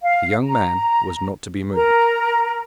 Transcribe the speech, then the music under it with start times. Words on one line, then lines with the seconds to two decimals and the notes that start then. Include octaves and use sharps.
The young man was not to be moved.
0.03 F5
0.44 A#5
1.74 A#4 A#5